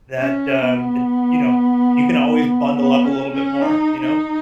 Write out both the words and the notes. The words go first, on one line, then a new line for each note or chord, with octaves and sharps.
that, um, eh you know, you can always bundle up a little bit more. You know?
C#4
B3
B3
C#4
C#4
D#4
D#4